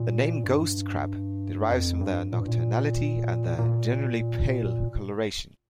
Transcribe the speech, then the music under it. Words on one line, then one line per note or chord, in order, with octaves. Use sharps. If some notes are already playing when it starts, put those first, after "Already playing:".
The name "ghost crab" derives from their nocturnality and their generally pale coloration.
Already playing: A#2
G2
F2
G2
A#2
G2
A#2
A#2